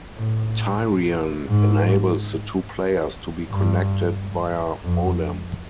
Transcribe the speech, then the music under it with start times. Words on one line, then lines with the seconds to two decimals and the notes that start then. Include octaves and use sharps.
Tyrian enables the two players to be connected via modem.
0.14 A2
1.48 G#2
3.50 G2
4.84 F2